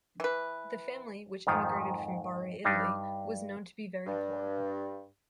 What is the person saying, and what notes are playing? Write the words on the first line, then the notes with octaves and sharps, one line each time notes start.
The family, which immigrated from Bari, Italy, was known to be very poor.
E3 B4
F2 G#2 D#3 F3
G2 G3 D4 D#4
G2